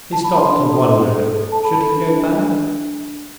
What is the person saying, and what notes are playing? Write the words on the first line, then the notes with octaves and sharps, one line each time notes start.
He stopped and wondered--should he go back?
A5
B5
D4 C6
A4
A4
A4
A5
A4 B5
D4
D4